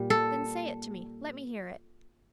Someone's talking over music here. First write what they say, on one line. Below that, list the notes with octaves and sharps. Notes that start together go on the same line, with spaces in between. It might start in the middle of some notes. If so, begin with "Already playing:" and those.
"Then say it to me--let me hear it."
Already playing: A#2 G3
A4